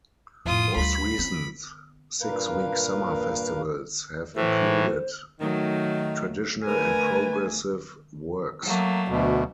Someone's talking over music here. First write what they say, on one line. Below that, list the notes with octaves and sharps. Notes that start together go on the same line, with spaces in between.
Most recent six-week summer festivals have included traditional and progressive works.
F2 A2 F4 D#6
D2 G3 B5
C4 C#4
G2 A#2 A#3 A#4 B4 F5
A2 E3 C5
D#3 F#3 A3
D3 A3 A#4 B4 G#5
F#3 A3 A#3
D2 B2